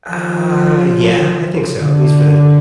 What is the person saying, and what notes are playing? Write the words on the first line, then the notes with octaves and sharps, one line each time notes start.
Uh, yeah, I think so, at least for the
F3
D3